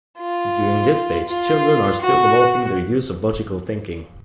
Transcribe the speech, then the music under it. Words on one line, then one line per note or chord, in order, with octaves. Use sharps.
During this stage children are still developing their use of logical thinking.
F4
F4
F#4